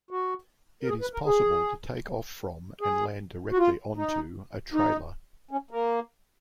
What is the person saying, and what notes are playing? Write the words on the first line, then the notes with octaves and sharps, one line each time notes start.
It is possible to take off from and land directly onto a trailer.
F#4
A#4
G#4
B4
A#4
G#4
G#4
F#4
F4
D#4
D#4
C#4
A#3